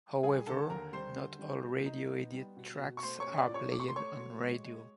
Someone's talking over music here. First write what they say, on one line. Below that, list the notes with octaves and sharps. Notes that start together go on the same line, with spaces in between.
However, not all "radio edit" tracks are played on radio.
G3 G#4 G#5
D3 A4 A5
D#2 A#4 A#5
G3 C5 C6
D3
G3
B2
D#4
B3
G3
B2
B2
C#6
A3 C5 C6
C#5 C#6
C#4
D5 D6
A#2
C#5 C#6
A3 D6
C#6
C6
A3 C#5 C#6
F#3
G#3
G#3